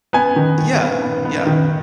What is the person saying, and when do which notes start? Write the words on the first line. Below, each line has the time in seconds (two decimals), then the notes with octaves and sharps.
Yeah. Yeah.
0.13 B3 G#5
0.36 D#3
0.58 D#3
0.80 B3
1.02 B3
1.25 B3
1.46 D#3